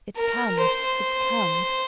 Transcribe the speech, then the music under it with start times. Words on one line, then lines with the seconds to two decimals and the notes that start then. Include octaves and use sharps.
It's come--it's come!
0.17 A#4
0.61 C5